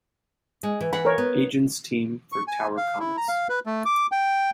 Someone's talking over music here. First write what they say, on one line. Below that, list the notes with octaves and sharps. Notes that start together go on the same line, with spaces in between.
Agents team for Tower Comics.
G#3
E3
E3 F#5 B5
A#4 C#5
B3
C#6
G#5
F5
E4
A#5
F5
B4
A3
D6
G5